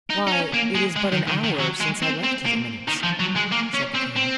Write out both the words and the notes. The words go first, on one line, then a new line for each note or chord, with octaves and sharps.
"Why, it is but an hour since I left his eminence," said the king.
D#4
D#4
C#4
A#3
G#3
G#3
D#3
D#3
D#3
F#3
G#3
C4
C4
A#3
D#3
F3
F#3
G#3
A#3
C#4
C4
C4